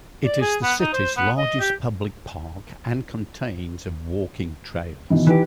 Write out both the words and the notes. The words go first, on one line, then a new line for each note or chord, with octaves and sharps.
It is the city's largest public park and contains of walking trails.
D5
G#4
B3
D#4
C5
B3
D#5
G4
B2 D#3 E3
E3 D#4 G4 B4